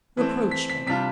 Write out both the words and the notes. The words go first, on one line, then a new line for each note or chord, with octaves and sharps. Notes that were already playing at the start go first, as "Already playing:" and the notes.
Reproach me.
E3 A3 C4
B6
B6
C3 G3 D4 F4 B6